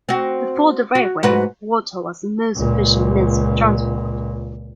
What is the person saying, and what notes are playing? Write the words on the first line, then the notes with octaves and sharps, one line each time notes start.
Before the railway, water was the most efficient means of transport.
C4 F#4
F#4
G#2 F#4 B4
C#2 A#2